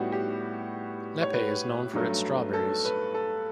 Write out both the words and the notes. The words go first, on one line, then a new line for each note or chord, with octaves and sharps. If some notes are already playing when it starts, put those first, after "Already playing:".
Lepe is known for its strawberries.
Already playing: A2 G3 B3 F#4 G4
G4
C#5
B4
G2 F#3 A3
A4
B4
A4